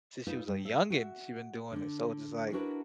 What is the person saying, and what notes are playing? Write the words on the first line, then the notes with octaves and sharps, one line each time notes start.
since she was a youngin, she's been doing it. So it's just, like,
D#4 F4 B4
G2
E5
F#4 E5
D3 D4
D4 E4 F#4 A#4 B4